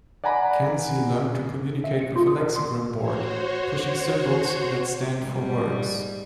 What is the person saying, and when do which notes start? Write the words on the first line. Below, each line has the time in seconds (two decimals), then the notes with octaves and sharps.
Kanzi learned to communicate with a Lexigram board, pushing symbols that stand for words.
0.24 D5 F#5 G#5 A#5 B5
1.84 E5
2.01 C#7
2.16 F4
2.27 D#6
2.41 A#4
2.56 C6
2.97 F#4 C5 C#5
5.20 G#2 G3